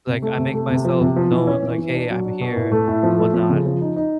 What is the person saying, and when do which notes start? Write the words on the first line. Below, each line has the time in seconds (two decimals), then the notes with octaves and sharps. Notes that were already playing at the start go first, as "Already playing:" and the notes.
like, I make myself known, like, "Hey, I'm here," whatnot,
0.07 C3
0.22 A3
0.38 C3
0.53 A3
0.70 C3
0.85 F3
1.01 C3
1.16 F3
1.32 E3
1.47 C#4
1.63 E3
1.78 E3
1.94 D4
2.10 F#3
2.25 D4
2.41 B2
2.56 A2
2.72 A3
2.87 A2
3.03 F3
3.19 A3
3.34 F3
3.49 C#3
3.65 F3
3.81 D#4
3.96 D#4